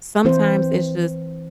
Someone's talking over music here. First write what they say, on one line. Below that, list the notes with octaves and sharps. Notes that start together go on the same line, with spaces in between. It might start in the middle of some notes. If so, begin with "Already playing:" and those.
sometimes it's just
E3 C4 E4 C5